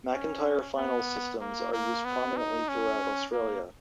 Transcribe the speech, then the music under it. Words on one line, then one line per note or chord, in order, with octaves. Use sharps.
McIntyre finals systems are used prominently throughout Australia.
C#4
B3
A#3
A#3
B3
D#4
C#4
A#3